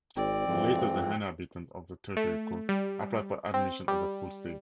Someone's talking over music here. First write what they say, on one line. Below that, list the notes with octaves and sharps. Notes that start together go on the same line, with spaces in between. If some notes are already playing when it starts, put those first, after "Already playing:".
Later, the inhabitants of the territory could apply for admission as a full state.
G#1 C4 D5
F2 G#2 E3 F3
A3
G3
C4
G3